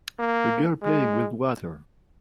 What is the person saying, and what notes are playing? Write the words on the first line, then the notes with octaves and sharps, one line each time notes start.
A girl playing with water.
A#3
G#3